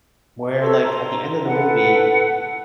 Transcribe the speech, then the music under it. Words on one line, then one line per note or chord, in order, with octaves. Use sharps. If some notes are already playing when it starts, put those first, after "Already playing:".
Where, like, at the end of the movie
A4 C#5 C6 E6
A#5 C6
A4 B4 F#5
F#5